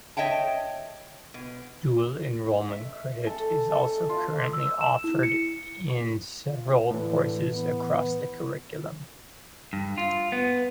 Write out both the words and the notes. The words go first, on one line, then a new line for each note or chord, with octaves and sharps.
Dual-enrollment credit is also currently offered in several courses across the curriculum.
C#5 D#5 E5 G5 A5
B2
E5
A4
A4
F4
E6
E7
E4
C#7
F4
A2 D3 E3
B3
G2
F4
B3